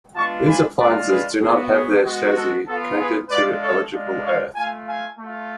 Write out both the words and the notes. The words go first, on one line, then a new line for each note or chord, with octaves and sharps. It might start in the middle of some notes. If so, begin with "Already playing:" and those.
These appliances do not have their chassis connected to electrical earth.
G#3 B3 D4 F4 A5 C#6
G#5 B5
G#3 D4 F4 B4 D5
G#4 B4
B3 F#4 G#4
G#4
G#3 B3 F#4
A4
B3 F4 A4
G#4 B4
G#3 D4 F4 B4 D5
A4 C#5
G#3 D4 F4
C#5 F5
A3 F4 F5 G#5
F5 G#5
A3 F4